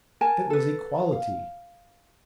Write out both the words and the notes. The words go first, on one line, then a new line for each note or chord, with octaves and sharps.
It was equality.
A#4 G#5 A5
A4 B4
F5